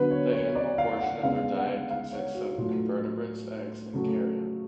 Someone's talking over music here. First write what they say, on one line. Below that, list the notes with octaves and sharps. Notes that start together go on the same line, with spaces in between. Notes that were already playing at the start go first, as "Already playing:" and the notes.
The animal portion of their diet consists of invertebrates, eggs, and carrion.
Already playing: D3 F#3 B3 B4
C#5
C#5
D5
F5
F#5
C#3 G#3 B3 F5
F#5
F5
C#5
F#4
A2 F#3 A3 F4
C#3 F#3 A3